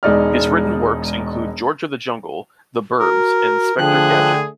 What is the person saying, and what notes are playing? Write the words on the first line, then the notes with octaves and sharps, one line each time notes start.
His written works include "George of the Jungle", "The 'Burbs" and "Inspector Gadget".
E1 G#3 D#4 D5 F6
F#4 A#4
D3 F3 A3 G#4 G5 F#6